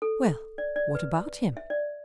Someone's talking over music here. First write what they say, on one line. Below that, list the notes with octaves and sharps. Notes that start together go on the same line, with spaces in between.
"Well, what about him?"
A4
D5
D5
B4
E5
D5